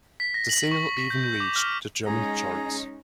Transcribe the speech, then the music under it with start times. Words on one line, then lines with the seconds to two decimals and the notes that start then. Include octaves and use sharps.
The Single even reached the German Charts.
0.20 B6
0.34 A#6
0.49 F#7
0.71 C#6
0.97 B6
1.10 G6
1.24 G6
1.40 D6
1.56 F6
2.06 G#3 C#4 D#4 G#4 A#5